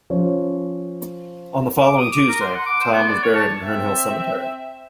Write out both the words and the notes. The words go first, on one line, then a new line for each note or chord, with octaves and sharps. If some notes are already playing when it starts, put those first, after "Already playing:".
On the following Tuesday Tom was buried in Hernhill cemetery.
F3 C#4 C#5
D6
D#6
D6
A#4
C6
F#5
D6
C5
B3
D5
C#5
A5
C4 E5